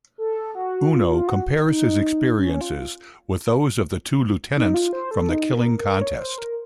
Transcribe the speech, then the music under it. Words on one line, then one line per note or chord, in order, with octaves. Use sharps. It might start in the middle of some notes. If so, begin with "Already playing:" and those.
Uno compares his experiences with those of the two lieutenants from the killing contest.
A4
F#4
F4
F4
F#4
D#4
C#4
F4
D#4
F4
C5
A4
D#4
A#4
A#4
C#5
C5
A#4